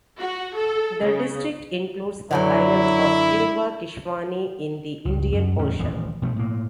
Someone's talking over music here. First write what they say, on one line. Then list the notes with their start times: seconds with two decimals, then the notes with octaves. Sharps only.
The district includes the island of Kilwa Kisiwani in the Indian Ocean.
0.19 F#4
0.55 A4
1.03 C#3
2.31 F#2 D3 E3 F#3 E4
5.05 C#2 G2
5.32 F#2
5.59 E2 A2 C#4
5.79 D#1 A1 E3 F3
6.22 B2 F3 A3
6.36 A2 A#3